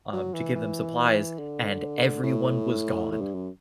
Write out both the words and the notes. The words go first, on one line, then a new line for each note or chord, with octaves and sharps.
um, to give them supplies and everyone was gone.
F#3
E3
E3
D3
A2
A2
G2
F#2